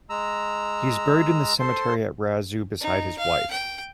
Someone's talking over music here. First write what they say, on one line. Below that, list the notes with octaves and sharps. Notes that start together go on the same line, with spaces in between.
He is buried in the cemetery at Raizeux beside his wife.
G#3 A#5 E6
A4 C5 C6
D#4
F5
G5